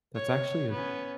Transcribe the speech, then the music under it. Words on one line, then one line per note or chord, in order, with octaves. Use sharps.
that's actually a
C#5
B3 C#4